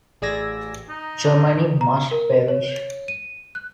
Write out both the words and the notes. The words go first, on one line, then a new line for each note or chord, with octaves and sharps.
Germany Must Perish!
A1 G#4 D5 E6 G#6 A#6
D#4
A#5
A#4
C#5
D#7
F#6